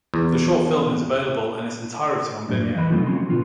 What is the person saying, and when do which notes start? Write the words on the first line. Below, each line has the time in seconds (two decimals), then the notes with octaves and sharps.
The short film is available in its entirety on Vimeo.
0.14 E2
2.49 F#2 A2 D4
2.62 A#3
2.75 F2 E3 B4 D#5 B5
2.90 C3 F#3 A3 C4 D#4 F4
3.07 F3 C4 C#4 F#4 C6
3.30 B2 D3 B3 F4